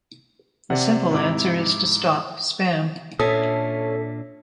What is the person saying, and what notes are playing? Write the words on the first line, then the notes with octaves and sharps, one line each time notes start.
The simple answer is to stop spam.
C3 D5 F#5
G#2 E4 D6
A#2 C#4 D4 A4 E5 D#6